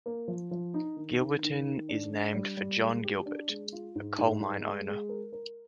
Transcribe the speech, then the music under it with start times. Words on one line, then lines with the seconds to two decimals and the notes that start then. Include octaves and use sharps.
Gilberton is named for John Gilbert, a coal mine owner.
0.06 A#3
0.28 F3
0.51 F3
0.74 D#4
0.97 D#3
1.19 D#3
1.43 D#3
1.66 D#3
1.89 D4
2.12 D4
2.34 G3
2.57 G3
2.81 G#3
3.04 G4
3.26 D4
3.49 G#3
3.72 F4
3.96 G#2
4.18 G#2
4.40 G#2
4.64 G#3
4.87 G#3
5.09 A#4
5.33 A#4